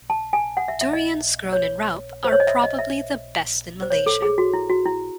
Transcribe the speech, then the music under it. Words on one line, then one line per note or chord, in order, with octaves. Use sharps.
Durians grown in Raub are probably the best in Malaysia.
A5
G#5
F#5
E5
E5
D#5
C#5
C5
C#5
D#5
E5
D#5
E5
C5
C#5
A4
G#4
F#4
E4
F#4
E4